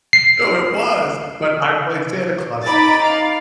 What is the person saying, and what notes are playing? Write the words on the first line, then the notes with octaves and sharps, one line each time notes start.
Oh, it was, but I played Santa Claus
C7
D#4 B5 D6 A6
F5